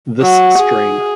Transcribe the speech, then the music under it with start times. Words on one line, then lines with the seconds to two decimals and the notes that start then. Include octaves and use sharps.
This stream.
0.22 F#3
0.58 G#4